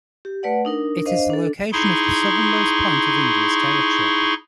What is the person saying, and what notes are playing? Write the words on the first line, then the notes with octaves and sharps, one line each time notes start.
It is the location of the southernmost point of India's territory.
G4
A3 B4 D5 F#5
D4 D#4 A#4
D4 C5 D#5 F5
D4 A4
D#4 E4 G#4 C6 C#6